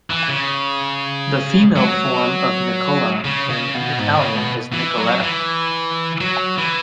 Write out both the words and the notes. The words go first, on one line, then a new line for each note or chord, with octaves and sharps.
The female form of Nicola in Italian is Nicoletta.
E3
C#3
F#3
C#3
C#3
B2
G#2
C#3
B2
E3
F#3
E3
F#3
E3